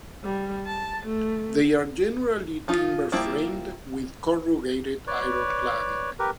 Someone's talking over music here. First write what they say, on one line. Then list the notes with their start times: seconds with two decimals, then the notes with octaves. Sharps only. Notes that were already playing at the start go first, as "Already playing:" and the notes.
They are generally timber framed with corrugated iron cladding.
0.24 G3
0.67 A5
1.06 A3
2.68 F3 D#4 F4
3.12 F3 G3 A#3 C4 E4
5.07 B4 C#5 D5
6.19 G4 A#4 B4